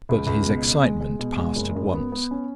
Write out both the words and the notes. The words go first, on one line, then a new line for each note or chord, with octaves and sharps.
But his excitement passed at once.
C#2
C#2
B2
B2
G#3
G#3
B2
G#3
F#1
F#2
B3
B3
C#4